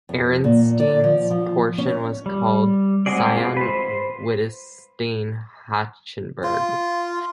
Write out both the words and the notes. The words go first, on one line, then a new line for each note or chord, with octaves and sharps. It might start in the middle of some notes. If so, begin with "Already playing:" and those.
Ernestine's portion was called "Sayn-Wittgenstein-Hachenburg".
F2
A#2
D5
F3
F3
C#4
G3
G#3 C4 F#4 G#4 D5
F4
B4 C5
F4